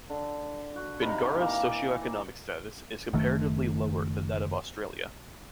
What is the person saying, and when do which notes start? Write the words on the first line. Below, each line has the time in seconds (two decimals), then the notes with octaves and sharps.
Bingara's socioeconomic status is comparatively lower than that of Australia.
0.10 D3
0.76 F#4
1.02 C3 D#4 F5 B5
1.37 E3 A#3
3.13 F#1 D#3 A3